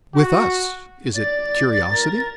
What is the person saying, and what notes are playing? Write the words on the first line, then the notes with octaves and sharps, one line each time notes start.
With us is it curiosity?
F#4
D5 A6
A#4